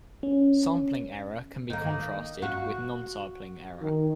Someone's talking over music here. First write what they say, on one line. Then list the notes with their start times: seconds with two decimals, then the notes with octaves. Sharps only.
Sampling error can be contrasted with non-sampling error.
0.23 C#4
1.70 D#3 A#3
2.42 F#4 F5
3.81 D#3